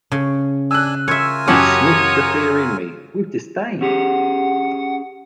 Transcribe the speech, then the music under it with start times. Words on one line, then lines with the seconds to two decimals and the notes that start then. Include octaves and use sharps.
He sniffed the fear in me with disdain.
0.12 C#3
0.71 D4 G#5 E6 F#6
1.08 F4 A#4 C#5 E5 G#5
1.48 F#2 F#3 C#4 G4 C#5 F#5 A5 D#6
3.81 C#4 G4 G#4 F#5